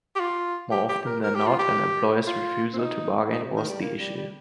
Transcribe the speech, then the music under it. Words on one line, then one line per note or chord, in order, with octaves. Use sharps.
More often than not, an employer's refusal to bargain was the issue.
G4
F4
G4
G4
A#4
A#4
G4
F4
G4
F4
C4
D#4
D#4
C3
D#3
G3
A#3
G3
G3